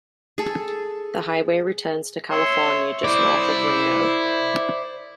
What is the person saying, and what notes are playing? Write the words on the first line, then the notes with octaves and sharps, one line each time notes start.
The highway returns to California just north of Reno.
G#4 A4
C#5 E5 C6
E4 C5 D5